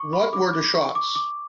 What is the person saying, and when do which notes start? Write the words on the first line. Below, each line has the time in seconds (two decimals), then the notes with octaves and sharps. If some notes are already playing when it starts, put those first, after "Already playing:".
What were the shots?
Already playing: C#6 D6
0.13 B5
0.33 D6
0.53 D6
0.75 C#6
0.95 D6
1.15 D6